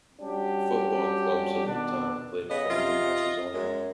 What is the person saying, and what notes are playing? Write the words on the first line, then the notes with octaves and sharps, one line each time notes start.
Football clubs of the time played friendly matches only.
G3 C#4 D4 F#4 G4
B2 D#3 D4
C#3 B3 D#5
C3 F4
F#2 G#3